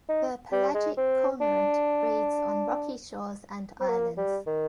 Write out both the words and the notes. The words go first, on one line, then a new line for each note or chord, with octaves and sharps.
The pelagic cormorant breeds on rocky shores and islands.
D#4
G3
G#3
C4
D4
C4
A#3
G3
D#3